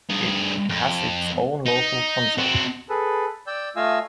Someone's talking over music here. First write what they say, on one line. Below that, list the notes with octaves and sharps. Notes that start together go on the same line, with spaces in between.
It has its own local council.
G2 G#4
F2
D#4
C4 F#4
G#4 A4 B4
D5 G5 E6 G6
A3 F4 D#5 F5 G#5 E6